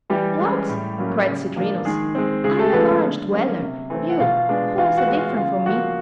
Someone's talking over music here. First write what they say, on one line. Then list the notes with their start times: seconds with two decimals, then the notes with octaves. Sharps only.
"What," cried Citrinus, "are you an Orange-dweller; you, who are so different from me?"
0.10 E3 G3 G4
0.39 G#3 C#4
0.69 A2
0.98 F#3 A#3 C#4
1.27 C#3
1.56 F3 A#3 D4
1.85 D#3 G#3 G#4
2.15 G#3 C4
2.44 C#3 G#3 G#4
2.58 A3 A4
2.73 F3 A3 B3 C#4 B4
3.03 D3
3.32 F#3 A#3 C#4
3.61 C3
3.90 E3 A3 C4
4.09 F#5
4.20 B2 F4 F5
4.49 G#3 B3 D4
4.78 E3 F4 F5
4.97 F#4 F#5
5.07 G#3 B3
5.17 F4 F5
5.36 C#3 F4 F5
5.65 F3 A#3 C#4 F#4 F#5